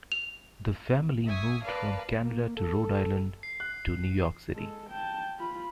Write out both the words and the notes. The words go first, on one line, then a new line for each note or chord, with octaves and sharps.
The family moved from Canada to Rhode Island to New York City.
F7
E5 G#5 C#6 D#6
A#4 B4 D5 F5 A5
A#3
A4
C7
F#6
G#3 A4
G5 A5
F4 B5